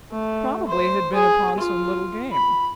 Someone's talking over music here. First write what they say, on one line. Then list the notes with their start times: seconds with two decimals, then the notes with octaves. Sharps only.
Probably had been upon some little game.
0.11 A3
0.67 C5
1.14 G#4
1.58 F4
2.32 B5